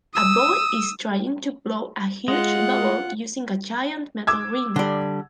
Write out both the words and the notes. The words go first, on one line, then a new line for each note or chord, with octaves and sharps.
A boy is trying to blow a huge bubble using a giant metal ring.
D#6 E6
G#3 F4 F#5
D6 E6 G#6
D3 G3